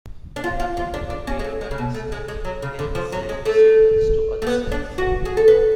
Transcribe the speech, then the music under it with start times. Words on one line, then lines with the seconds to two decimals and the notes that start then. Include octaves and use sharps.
There are multiple ways that a cell can send signals to other cells.
0.36 D4
0.44 F4
0.60 F4
0.77 F4
0.94 D4
1.10 D4
1.27 C#4
1.39 G#3
1.44 A3
1.61 G#3
1.71 C#3
1.78 B2
1.94 A3
2.12 G#3
2.28 G#3
2.45 F#3
2.62 C#3
2.79 D3
2.95 F3
3.12 F#3
3.29 G#3
3.45 A3
4.42 A3
4.47 B3
4.72 D4
4.98 F#4
5.25 G#4
5.37 A4
5.48 B4